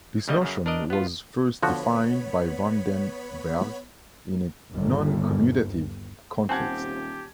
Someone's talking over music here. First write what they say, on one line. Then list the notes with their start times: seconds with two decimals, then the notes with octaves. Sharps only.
This notion was first defined by Van den Bergh in a noncommutative context.
0.28 D2 C#3 G3 A#3 D#5
0.42 F#2 C#3
0.66 D4 A#4 D5 D#5
0.90 B3 F4
1.63 D3 F3 B3 F#4 C#5 B5
4.71 G1 D#2
6.49 D#1 C4 G4 F#5 G#5 A5 G#6